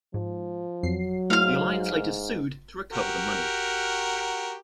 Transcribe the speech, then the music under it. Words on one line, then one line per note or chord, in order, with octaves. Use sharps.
The Alliance later sued to recover the money.
G#2 F3
F2 F#3 C7
G#2 A3 E4 F5 C6 F6
F#4 G4 A#4